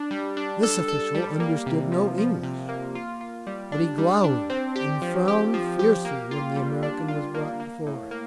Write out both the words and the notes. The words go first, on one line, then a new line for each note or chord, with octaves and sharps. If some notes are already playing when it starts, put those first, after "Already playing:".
This official understood no English, but he glowered and frowned fiercely when the American was brought before him.
Already playing: D4
G3
D4
A4
A4
G3
A#3
C3
F3
F3
C3
A#3
F4
F4
G3
D4
G3
D4
C4
G4
F3
G4
F3
G4
A#3
F4
G3
D4
F4
A#3
A#3
A2
A#3